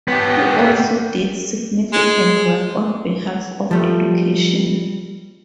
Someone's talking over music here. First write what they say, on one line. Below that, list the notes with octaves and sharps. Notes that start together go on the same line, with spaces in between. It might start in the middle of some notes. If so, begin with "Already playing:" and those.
He also did significant work on behalf of education.
B3 G4
G#3
F3 G3 A3